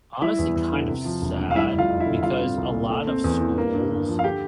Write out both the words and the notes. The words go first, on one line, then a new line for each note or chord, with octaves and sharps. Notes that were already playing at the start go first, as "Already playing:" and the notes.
honestly kind of sad, because a lot of schools
G3 E4 E5
E2
E2
D3
C3
F3
E1
D2
F5
G3 E4 E5
F2
F4 F5
F2
E4 E5
D3
G3 F4 F5
C4
C2
A#2
A3
C4
E2
E3
A#3
G2
G2
F3
F5
D3 G4 G5